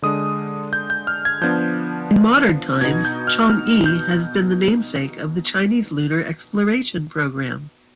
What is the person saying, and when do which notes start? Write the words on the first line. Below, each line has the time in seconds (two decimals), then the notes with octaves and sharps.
In modern times, Chang'e has been the namesake of the Chinese Lunar Exploration Program.
0.02 D3 G#3 D4 D#6
0.73 G6
0.90 G6
1.07 F6
1.25 G#6
1.41 F3 B3 D4 G6
2.81 B2 B3 D#4 G#6
3.05 G6
3.27 F6
3.51 F6
3.86 G6